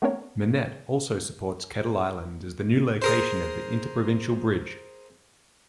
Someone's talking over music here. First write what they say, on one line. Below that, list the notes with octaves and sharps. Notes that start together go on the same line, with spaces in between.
Monette also supports Kettle Island as the new location of the Interprovincial Bridge.
A3 B3 C4 D4 A#4 C#5
G#4 A#4 C5